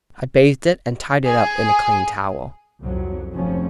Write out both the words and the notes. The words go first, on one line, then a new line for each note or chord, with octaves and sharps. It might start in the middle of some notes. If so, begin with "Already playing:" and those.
I bathed it, and tied it up in a clean towel.
G#4 G#5
C2 F2 F#3
F1 F2 F3 C#4